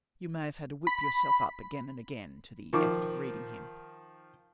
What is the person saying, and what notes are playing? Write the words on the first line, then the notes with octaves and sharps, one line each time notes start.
You may have had to whip yourself up again and again to the effort of reading him.
B5
D#3 F3 C#6 D6